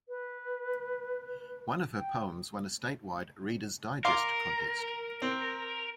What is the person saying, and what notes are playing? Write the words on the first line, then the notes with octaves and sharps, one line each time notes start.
One of her poems won a statewide "Reader's Digest" contest.
B4
G5
A#4 F5 C6 D6
C4